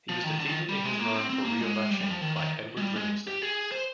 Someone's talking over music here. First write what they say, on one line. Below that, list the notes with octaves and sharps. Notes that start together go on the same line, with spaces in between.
He was defeated in his run for re-election by Edward Livingston.
F3
D#3
D3
D#3
G3
G#3
A#3
C4
C4
A#3
G#3
G3
G3
F3
D#3
D#3
G#3
G3
G#3
G4
G#4
C5